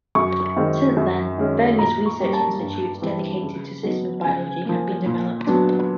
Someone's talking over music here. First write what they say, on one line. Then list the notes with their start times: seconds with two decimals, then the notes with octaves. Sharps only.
Since then, various research institutes dedicated to systems biology have been developed.
0.15 F#2 C#6
0.56 D#3 G#3 C4
0.97 F#2
1.38 D#3 G#3 C#4
1.79 A#2 A#5
2.06 C#6
2.20 G3 A#3 C#4
2.33 A5
2.60 G2
3.02 E3 G3 C4
3.42 C#3
3.83 F#3 B3 D#4
4.24 C#3 G#5
4.65 F3 A#3
5.06 A#2
5.47 F#3 B3 D4